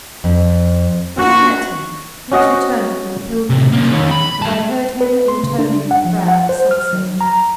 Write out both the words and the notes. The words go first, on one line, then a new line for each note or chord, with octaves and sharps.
When I met him he was returning from a pilgrimage, and I heard him intoning the prayer of sunset.
F2
A#3 F#4
C#4 F#4 D#5 F#5
A2 C3
A#3 C#4
D#3 C#5
B5
G3 A5
B4
C6
C#3
D4
F#5
F3
F#5
C5
F6
F#3
A#5